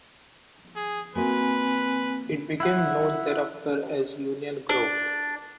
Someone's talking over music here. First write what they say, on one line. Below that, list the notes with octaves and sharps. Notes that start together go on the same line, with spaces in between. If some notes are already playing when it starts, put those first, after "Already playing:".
It became known thereafter as Union Grove.
G#4
A#3 C4 F#4 B4 E5 G#5
E4 F#5
D4